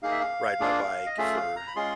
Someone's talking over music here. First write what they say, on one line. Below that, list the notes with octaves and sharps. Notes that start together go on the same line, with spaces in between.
ride my bike for
A#3 D#4 G#4 F5
E5
F5
A#3 D4 F4 G#4
D#5
A3 C#4 F4 G#4 E5
F5
A#5
B5
G#3 C#4 F4 G#4 C6